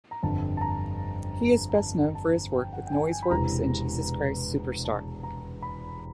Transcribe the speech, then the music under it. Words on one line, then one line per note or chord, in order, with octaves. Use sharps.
He is best known for his work with Noiseworks and Jesus Christ Superstar.
A#5
G1 F2 D3 A5
A5
A#5
A#5
A5
A5
G5
F#5
G5
G#5
G#5
B5
E1 E2 C3 E3 A#5
A5
A#5
B5